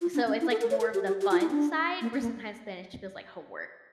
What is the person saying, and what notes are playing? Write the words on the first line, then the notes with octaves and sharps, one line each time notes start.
so it's, like, more of the fun side where sometimes Spanish feels like homework.
F4
D4
C#4
E4
A4
A#4
C#5
A#4
G4
G4
G4
F4
E4
D4
A#3
C#4
A#3